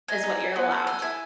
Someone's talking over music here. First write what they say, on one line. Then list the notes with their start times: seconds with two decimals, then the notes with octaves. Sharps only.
is what you're allowed."
0.08 D#4 G#5
0.24 D#4
0.40 D#4
0.56 B3
0.71 A4
0.87 A4 G#5
1.02 E4 G#5